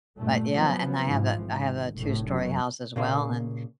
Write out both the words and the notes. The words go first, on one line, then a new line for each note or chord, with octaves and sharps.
but, yeah, and I have a I have a two-story house as well, and
G2 A#2 A3
F3 F#3 B3
G#2 E3 F3
G#1
F1 A2
F#2 F#3
A#2 C#3 A#3